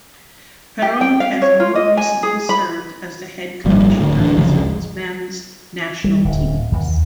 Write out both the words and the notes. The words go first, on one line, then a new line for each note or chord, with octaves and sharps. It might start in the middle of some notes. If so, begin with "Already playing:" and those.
Perron has more recently served as the head coach for Israel's men's national teams.
G4
G5
F5
C#5
F4
D#5
G#5
G#4
B5
G#1 A#2 F3 G3
D1 D2 A2
D1 E3 D4
G1 D2 C#3 F3
G3
D1
D#2